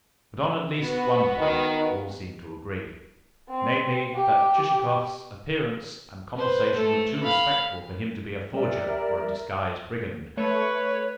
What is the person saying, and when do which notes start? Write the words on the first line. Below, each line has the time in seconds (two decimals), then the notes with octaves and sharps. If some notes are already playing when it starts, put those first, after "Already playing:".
But on at least one point all seemed to agree--namely, that Chichikov's appearance and conversation were too respectable for him to be a forger or a disguised brigand.
0.81 B3 F#4 B4
1.39 D#3
3.49 C4
4.15 G4
6.37 B4 C5
6.76 A3 A4
7.23 F5 B5
8.54 G3 A#4 D5 E5
10.37 A3 B4 C#5